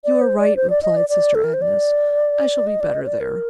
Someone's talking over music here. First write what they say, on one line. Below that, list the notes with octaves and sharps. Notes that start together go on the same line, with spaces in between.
'You are right,' replied sister Agnes, 'I shall be better there.
D5
C5
D5
C5
D5
D#5
D5
D5
A4
A#4
C5
D5
D#5
D5
D#5
C5
D5
A#4